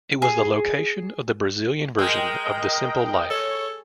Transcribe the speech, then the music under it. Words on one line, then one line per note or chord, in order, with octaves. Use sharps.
It was the location of the Brazilian version of The Simple Life.
G#4
G#3 A#4 D#5 G5 D#6
A4 C#5